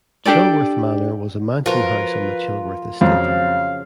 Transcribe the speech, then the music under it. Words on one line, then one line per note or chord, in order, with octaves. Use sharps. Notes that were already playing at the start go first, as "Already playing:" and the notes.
Chilworth Manor was a mansion house on the Chilworth Estate.
D4 G4 A4 D5
F3 F4 F#4 A#4 B4
F2 C#3 F3 F#3 F5